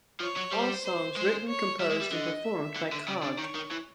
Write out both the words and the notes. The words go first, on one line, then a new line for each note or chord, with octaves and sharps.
All songs written, composed and performed by Cog.
F3 C#5
F#3
G3 C5
C5
G#3 C5
C#5
G3 E5
G#3
G3
D3 D#5
E5
D3
D3
C#3 D5
D3
D#3 C#5
D#3
E3